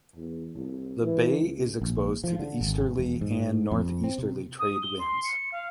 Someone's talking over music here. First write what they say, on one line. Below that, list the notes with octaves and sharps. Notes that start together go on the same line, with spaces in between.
The bay is exposed to the easterly and northeasterly trade winds.
E2
C2
E3
C#2
A#1
F3
D3
G#1
E1
G#2
F2
C4
C3
D#6
G7
C6
C#7
F5